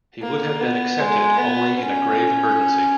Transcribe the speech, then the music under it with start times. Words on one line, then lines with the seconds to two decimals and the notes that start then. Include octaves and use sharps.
He would have been accepted only in a grave emergency.
0.22 A#3
0.60 B3
1.00 G#3
1.38 B3
1.77 C#4